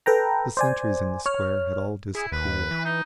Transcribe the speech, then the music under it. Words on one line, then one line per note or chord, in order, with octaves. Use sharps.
The sentries in the Square had all disappeared.
A4 B4 G5 A#5
C5 D5 G#5
C#5 F6
E4 G#4
D#2 B4
E3
D#4